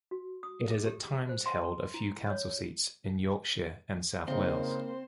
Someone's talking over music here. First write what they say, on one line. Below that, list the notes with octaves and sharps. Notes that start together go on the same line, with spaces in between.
It has at times held a few council seats in Yorkshire and South Wales.
F#4
D#6
G#4
G4
C5
C6
E4
C#5
C#3 A#3 C4 D#4 C5